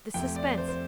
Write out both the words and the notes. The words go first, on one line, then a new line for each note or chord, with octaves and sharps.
This suspense!
F1 F2 C3 A3 G5
D5
C5
C5